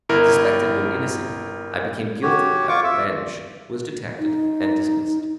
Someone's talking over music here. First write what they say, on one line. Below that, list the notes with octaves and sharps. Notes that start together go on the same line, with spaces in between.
Suspected when innocent, I became guilty out of revenge; was detected and dismissed.
G1 E4 A#4
F#4 G4 C#5
F4 C#6 D6
E5
D#4